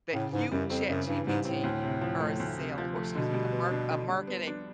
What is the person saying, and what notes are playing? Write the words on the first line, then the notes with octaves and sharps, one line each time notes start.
that 'you, ChatGPT, are a sale' or excuse me, 'a mark a marketing'"
A2 C#3
G#2 E3
F#2 G3
F2 C4
F#2 C#3
G2 E3
G#2 G3
A2 C4
D2
C3
F3
A3
D2
C3
F3
A3
B2 D3
G3
B3
D4
D3
G3
B3
D4